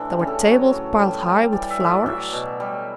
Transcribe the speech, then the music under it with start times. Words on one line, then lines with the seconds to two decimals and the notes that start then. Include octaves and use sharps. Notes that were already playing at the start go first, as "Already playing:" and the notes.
There were tables piled high with flowers.
Already playing: A2 E3 D4 E4
0.10 G4
0.19 C#3
0.27 A4
0.46 F#3 C#5
0.73 A2
0.99 G3
1.26 G3
1.52 E3 D5
1.70 E5
1.80 A2
1.88 D5
2.06 F#3 E5
2.33 B2
2.60 G3